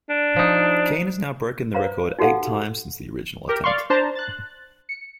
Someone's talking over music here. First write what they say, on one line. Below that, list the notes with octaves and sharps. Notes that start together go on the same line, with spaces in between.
Keene has now broken the record eight times since the original attempt.
D4
F3 D#4
B4 C5 F5 A#5
D#4 F#4 G4 A4 F5 F#5
G4 A#4
D5 F5 C6 C#6
D4 C5 A5 A#5
F#6 A6
C#7